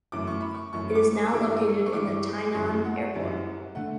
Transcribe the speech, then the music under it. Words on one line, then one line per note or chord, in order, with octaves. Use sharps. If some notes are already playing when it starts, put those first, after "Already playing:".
It is now located in the Tainan Airport.
F#2 E3 A3 D6
C#6
B5
C#6
F#2 E3 A3 C#6
D6
C#6
E6
G2 E3 G3 D6
C#6
G2 E3 G3 D6
F#2 E3 G3 C#6
F#5
F#2 E3 G3
D3 A3 F#5